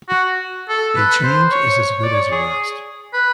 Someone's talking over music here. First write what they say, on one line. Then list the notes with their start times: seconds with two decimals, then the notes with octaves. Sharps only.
A change is as good as a rest.
0.09 F#4
0.69 A4
0.96 B4
1.23 C5
1.51 C#5
1.91 C#5
2.04 D5
2.14 C#5
2.32 G#4
3.14 B4